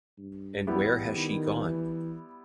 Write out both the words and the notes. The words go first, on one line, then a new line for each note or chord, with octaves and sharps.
And where has she gone?
G2
E2 G3 B3 E4 G4
D#3
E3